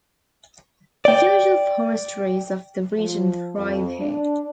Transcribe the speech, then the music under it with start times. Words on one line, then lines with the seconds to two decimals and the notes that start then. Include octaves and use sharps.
The usual forest trees of the region thrive here.
1.05 D5 G5
2.95 F3
3.57 F2
4.00 D4